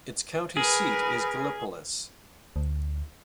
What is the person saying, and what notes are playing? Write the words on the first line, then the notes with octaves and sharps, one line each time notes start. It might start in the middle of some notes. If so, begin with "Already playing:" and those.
Its county seat is Gallipolis.
G#4 A#4 B4
D2